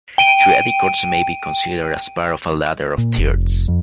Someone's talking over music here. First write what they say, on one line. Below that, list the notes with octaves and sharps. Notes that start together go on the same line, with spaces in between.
Triadic chords may be considered as part of a ladder of thirds.
G5 D7 D#7
A#2
F1
F2